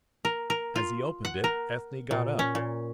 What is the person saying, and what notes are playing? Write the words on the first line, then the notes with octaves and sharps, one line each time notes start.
As he opened it, Ethne got up.
A#4
A#4
F4
F#5
A#4
A#2
C#4
A#2